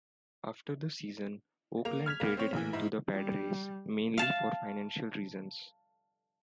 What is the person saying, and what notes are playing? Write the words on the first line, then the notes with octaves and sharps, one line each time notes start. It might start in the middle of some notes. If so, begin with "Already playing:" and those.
After the season, Oakland traded him to the Padres, mainly for financial reasons.
A#3 F7
F6 G#6 B6 F7
C2 A#3
C4 C#5
A#1 E3
G#2 E4
G3
F5 A5